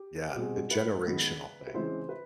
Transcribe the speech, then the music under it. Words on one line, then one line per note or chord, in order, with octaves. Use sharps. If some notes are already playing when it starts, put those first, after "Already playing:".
Yeah, the generational thing.
Already playing: G4
G4
B2 G3 C4 G#4
B4
D#3 G#3 B3
B4
C#3 E3 G#3 C4 C5
B4